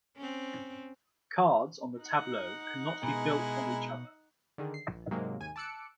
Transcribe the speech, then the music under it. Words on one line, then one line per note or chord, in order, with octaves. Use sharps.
Cards on the tableau cannot be built on each other.
C4 C#4
D#4 F#5
B2 G#3 E4 G#4 A#4
D3 D#3 G#4
C7
A#1
G#2 C3 F#3 G#3 A#3
D#2 G#5 D#7
A5 D6 E6 F#6 C#7 D7